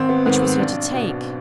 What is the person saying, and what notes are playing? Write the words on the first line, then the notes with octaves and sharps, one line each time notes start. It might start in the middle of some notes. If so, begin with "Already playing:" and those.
Which was he to take?
Already playing: G#1 C4
B3
G#2 D#3 B3
C4
B1 D4
B2